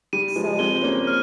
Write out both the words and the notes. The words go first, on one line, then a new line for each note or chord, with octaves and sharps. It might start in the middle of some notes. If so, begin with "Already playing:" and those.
So it
G3 D#7
F3 G#3
G#3 C4 G7
A#3 C#4
F6